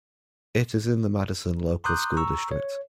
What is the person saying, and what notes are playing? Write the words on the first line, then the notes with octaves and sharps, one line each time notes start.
It is in the Madison Local School District.
A#5 C6 D6 D#6 F#6 G6
A#5 C#6 E6
C#5